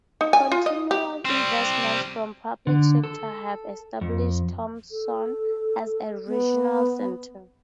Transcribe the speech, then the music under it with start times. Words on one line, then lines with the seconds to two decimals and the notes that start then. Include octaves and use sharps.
Continual investments from public sector have established Thompson as a regional center.
0.21 D#4
0.33 G#5
0.52 F4
0.66 D#5
0.91 G4
1.25 G3 C4
2.67 D3
3.04 A4
4.01 F2
4.91 A4
6.27 B3